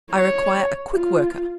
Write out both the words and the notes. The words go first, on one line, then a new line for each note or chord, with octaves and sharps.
I require a quick worker.
C#5
F4